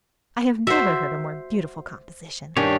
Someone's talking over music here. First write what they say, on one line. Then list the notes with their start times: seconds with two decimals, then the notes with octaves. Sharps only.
'I have never heard a more beautiful composition.
0.67 F#4 C5 E5
2.57 G2 D#3 C#4 D4 G4 C#5